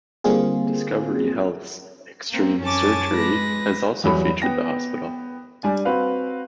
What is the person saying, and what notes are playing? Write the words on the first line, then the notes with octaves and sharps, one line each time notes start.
Discovery Health's "Extreme Surgery" has also featured the hospital.
D3 G3 A#3 C4 F4 G#4
A#3 C4
F#2 C#4 G#5 A5 D6 A6
G#3 B4 A#6
E2 F#3 G3 B5
B3 G5 A#6
G3 D4 G#5
C4 F#4 B4 F5